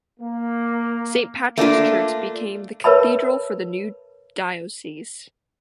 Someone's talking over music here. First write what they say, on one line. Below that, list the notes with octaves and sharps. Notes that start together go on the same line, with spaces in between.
Saint Patrick's Church became the cathedral for the new diocese.
A#3
A3 A#3 D4 F4
A#4 B4 C#5 E5 A5 B5